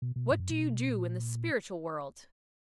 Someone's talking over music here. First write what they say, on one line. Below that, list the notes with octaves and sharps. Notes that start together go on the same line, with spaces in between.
"What do you do in the spiritual world?"
B2
B2
G#2
F#2
A#2
B2
A#2